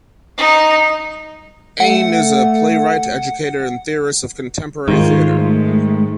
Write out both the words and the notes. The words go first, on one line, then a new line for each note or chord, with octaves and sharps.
Ehn is a playwright, educator and theorist of contemporary theater.
D#4
A3 F#5
G#2 D#3 F4
G#3 A3